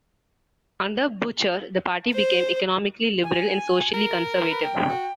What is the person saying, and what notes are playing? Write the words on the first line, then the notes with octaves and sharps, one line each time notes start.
Under Bucher, the party became economically liberal and socially conservative.
C5
G#5
A#4
C5
B4
G5
F#4